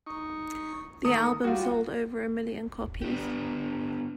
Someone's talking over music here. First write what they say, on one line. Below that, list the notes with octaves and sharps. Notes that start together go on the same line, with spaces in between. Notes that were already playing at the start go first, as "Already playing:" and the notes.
The album sold over a million copies.
D#4 C#6
D#3 A3 A#3 D#6 C#7
G3 F4 F#4
B3 D4 G4